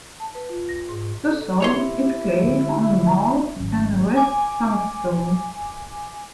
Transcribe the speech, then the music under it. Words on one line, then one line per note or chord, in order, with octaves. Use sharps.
The soil is clay on marl and red sandstone.
A5
B4
F4
A#6
G#2
A4
E4 G4 C#5 C6
D3 G#3 B3
G#1 F#3 C#4
G#5 D6